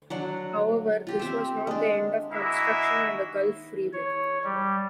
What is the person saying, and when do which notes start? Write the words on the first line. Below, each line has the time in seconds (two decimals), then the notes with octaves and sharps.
However, this was not the end of construction on the Gulf Freeway.
0.10 F#3 D4 F#5
1.07 F4 G4
1.19 C4 E5
1.67 G#3 D4
2.32 G#3 A#3 E4 F#4 D#5 E5
3.93 C#5
4.44 G3